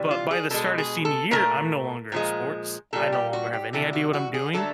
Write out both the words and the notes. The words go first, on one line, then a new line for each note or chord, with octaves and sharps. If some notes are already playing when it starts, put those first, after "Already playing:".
But by the start of senior year, I'm no longer in sports. I no longer have any idea what I'm doing,
Already playing: C3 E3 G3
F4
G#4
B2 G#3 A4
G#4
A4
A#2 F3 A3 A#4
A#2 F3 G#3
A#2 G3 A4
G4
F#4
G4
C3 E3 G3 A4
F#4
F#4
G#4
D3 F#3 A3 A4